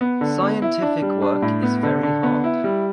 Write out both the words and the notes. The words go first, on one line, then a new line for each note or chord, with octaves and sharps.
Scientific work is very hard.
B3
D3
B3
E4
D4
G3
D4
A2
B3
D3
D3
B3
E4
G3